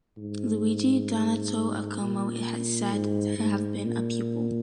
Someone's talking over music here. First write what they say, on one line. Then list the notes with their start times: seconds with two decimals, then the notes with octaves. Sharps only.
Luigi Donato of Como is said to have been a pupil.
0.17 G#2
2.01 A#2
2.92 G#2
3.38 G#2
3.85 A#2